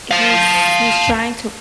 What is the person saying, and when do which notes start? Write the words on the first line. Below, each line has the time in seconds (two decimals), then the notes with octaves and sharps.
he's he's trying to
0.11 F5 A5